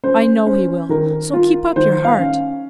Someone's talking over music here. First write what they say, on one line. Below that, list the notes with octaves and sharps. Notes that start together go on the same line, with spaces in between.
I know he will; so keep up your heart.
C#4 C5
C#4 C5
D#3 A#4
F4
D#3 C5
F5
C#4